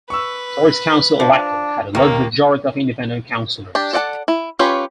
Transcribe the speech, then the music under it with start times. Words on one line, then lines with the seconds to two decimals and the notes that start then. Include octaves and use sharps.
The first council elected had a large majority of independent councillors.
0.10 B4 C#6 E6
1.20 F3 D4
1.95 D#2 D#3 A#3 A#4
3.75 D4 G4 A5
3.93 A4 D5 F#5 A5
4.28 E4
4.59 C#4 F4 G4 B4 C#5